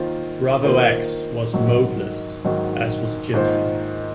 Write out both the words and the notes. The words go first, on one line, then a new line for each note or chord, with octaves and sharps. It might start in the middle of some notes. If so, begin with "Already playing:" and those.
BravoX was "modeless", as was Gypsy.
Already playing: D#3 A#3 F4 C5
D#3 A#3 F4 C5
G#2 D#3 F#3
G#2 D#3 F#3
G#2 D#3 A#3 F4 C5